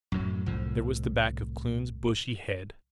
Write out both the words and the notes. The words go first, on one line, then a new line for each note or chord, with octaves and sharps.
There was the back of Kloon's bushy head.
F#2 A2 F#3
C2 A2 F3